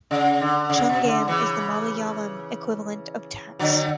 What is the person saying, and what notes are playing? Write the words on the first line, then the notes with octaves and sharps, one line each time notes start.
"Chungam" is the Malayalam equivalent of "tax".
C#3
D3
C#3
B2
C#3
D3
C#3 E3
D3 F#3